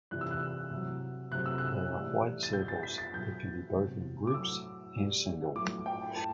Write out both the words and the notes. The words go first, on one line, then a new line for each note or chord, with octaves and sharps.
They are white circles that can be both in groups and single.
C3 E3 G3 F#6
E6
F#6
C3 F#3
C3 F#3 F#6
E6
F#6
A2 E3 G3
A6
B2 G3 G6
A6
B6
A6
B2 F#3 G6
C3 F#3
D6
A2 F#3 E6
B2 G3
A2 F#3 D6
G5
A2 A5